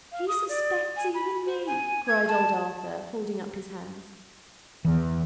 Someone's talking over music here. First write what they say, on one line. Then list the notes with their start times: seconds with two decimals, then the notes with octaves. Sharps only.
'He suspects even me!' cried old Arthur, holding up his hands.
0.12 F5
0.28 D#6
0.49 D5
0.96 G#5
1.15 B5
1.46 C5
1.67 G#5
2.07 G#6
2.28 A5
4.85 E2 E3